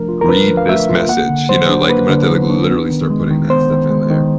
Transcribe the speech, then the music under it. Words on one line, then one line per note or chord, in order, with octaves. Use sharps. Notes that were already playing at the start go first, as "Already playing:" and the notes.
"Read this message," you know, like, I'm gonna have to, like, literally start putting that stuff in there.
Already playing: F3 A3 D4 A#4
F4
A#4
D4 B4
F3
F5
A3 E5
F4
A#3 F#5
D3
F#3 C5
D4
A#3 B4
D3
F#3
D4
B3
D#3
G#3
D#3
B3 C5
D#3
G#3
D#3